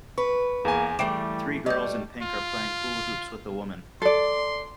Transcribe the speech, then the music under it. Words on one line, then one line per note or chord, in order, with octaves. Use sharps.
Three girls in pink are playing hula hoops with a woman.
B4 C#6
E2 A#3 G#4 G#5
E3 G3 A3 G5 D6 D7 E7
G3 A3 D5 D#5 G6
F4
A4 D5 C6